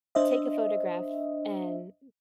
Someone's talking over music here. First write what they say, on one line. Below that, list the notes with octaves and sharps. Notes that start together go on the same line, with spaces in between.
take a photograph and m
D4 C5 D#5 E5